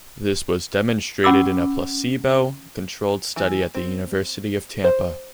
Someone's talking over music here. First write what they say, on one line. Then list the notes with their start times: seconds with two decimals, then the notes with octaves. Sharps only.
This was demonstrated in a placebo-controlled study at the University of Tampa.
1.24 C#4 F#5 B5 C#6 D6 E6
3.36 E3
3.75 C4
4.84 C5